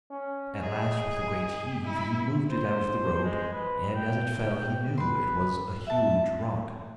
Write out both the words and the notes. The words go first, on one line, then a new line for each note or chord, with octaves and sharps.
At last with a great heave he moved it out of the road, and as it fell he knew it was a huge rock.
C#4
G#4 D#5
E4
C5
G#3
B4
G5
B4 C6
E5 A5